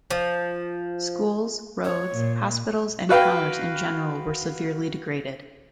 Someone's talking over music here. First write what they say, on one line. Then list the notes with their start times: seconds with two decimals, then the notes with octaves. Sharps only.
Schools, roads, hospitals and commerce in general was severely degraded.
0.11 F3
1.84 C#5
2.13 A#2
3.09 F#4 B4 F5 G5